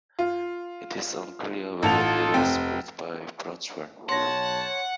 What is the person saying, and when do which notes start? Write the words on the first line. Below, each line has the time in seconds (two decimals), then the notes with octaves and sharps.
It is unclear whether it was ruled by Brochwel.
0.19 F4
1.83 A1 D#4 F4 A4 A5 F7
2.34 F1 C4 G5
4.09 B1 C#5 F#5 A5 C6 A#6